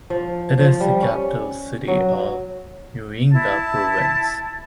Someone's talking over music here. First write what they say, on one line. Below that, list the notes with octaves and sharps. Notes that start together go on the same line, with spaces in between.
It is the capital city of Muyinga Province.
F3
F3
G3
C#4
F#3
E4 A5